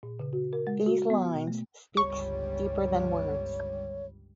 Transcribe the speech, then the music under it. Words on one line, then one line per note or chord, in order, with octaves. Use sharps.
These lines speaks deeper than words.
A#2
C#3
F#4
A#4
G#3
F#4
B3
B2
A3
G1 C#2 G3 C#5 C#6